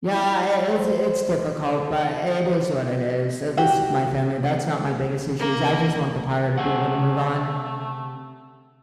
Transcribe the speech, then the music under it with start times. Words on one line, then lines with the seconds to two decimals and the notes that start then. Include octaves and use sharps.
Yeah, i it's it's difficult, but it is what it is. At least my family that's not my biggest issues. I just want the power to be able to move on,
0.12 E4
0.65 C5
1.72 A4
3.57 F#4 G4
5.40 A#3
6.58 C3 A3 G#4 F#5